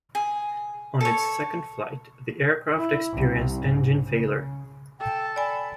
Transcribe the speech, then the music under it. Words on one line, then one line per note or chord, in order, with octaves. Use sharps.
On its second flight, the aircraft experienced engine failure.
G#4
A4 C#5
E4
C2
G#2
C#3
A4 G5
D5 G#5 B5